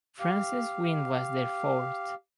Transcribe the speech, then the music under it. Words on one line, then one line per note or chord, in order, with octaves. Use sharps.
France's win was their fourth.
G4 F5